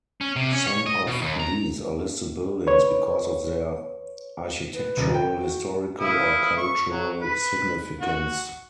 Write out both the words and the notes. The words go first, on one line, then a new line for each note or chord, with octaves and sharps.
Some of these are listed buildings because of their architectural, historical and cultural significance.
C#4
C3
C#4
C#5
D#5
B2
D#2
A#5
B4 C#5
B4
D#1
G5
F#4
E4 F5 D#6
C#6
F#3
B4
F#4